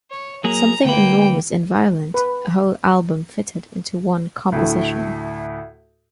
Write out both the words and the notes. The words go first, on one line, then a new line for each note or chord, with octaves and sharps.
Something enormous and violent, a whole album fitted into one composition.
C#5
F#3 A#3 G#4 A#5
D2 A#3 B3 B4 G5
B4
D2 A2 A3